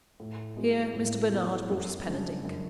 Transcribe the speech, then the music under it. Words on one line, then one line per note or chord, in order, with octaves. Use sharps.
Here Mr. Bernard brought us pen and ink.
A2
G#3 B3 F#4
A2
G#3 B3 F#4
F#2
C#3 G#3 D4
F#2